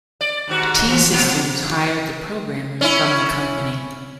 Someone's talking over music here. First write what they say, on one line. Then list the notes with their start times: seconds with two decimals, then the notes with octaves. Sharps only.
T-Systems hired the programmers from the company.
0.21 D5
0.47 D#2 G#2 F#4
0.86 E3 F3
1.12 B2 F3
2.81 C#4 E4